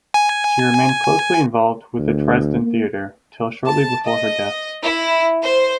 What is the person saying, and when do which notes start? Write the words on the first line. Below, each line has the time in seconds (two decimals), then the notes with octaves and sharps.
She remained closely involved with the Dresden theatre till shortly before her death.
0.14 G#5
1.99 D2
2.62 A#3
3.67 A5
4.05 D#5
4.83 E4
5.43 C5